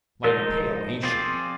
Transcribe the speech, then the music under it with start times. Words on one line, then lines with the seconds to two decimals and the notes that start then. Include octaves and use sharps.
"Mighty pale, ain't she?"
0.24 F3 G#3 D#4 A#4
1.03 F3 C4 F4 G#4 D5